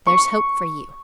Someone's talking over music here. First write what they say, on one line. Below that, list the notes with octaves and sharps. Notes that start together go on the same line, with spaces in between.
There's hope for you.
C#6